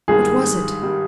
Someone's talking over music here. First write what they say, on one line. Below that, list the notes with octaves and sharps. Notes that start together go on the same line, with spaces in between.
What was it?
G#1 G2 D#3 G3 G#4
D#3 G3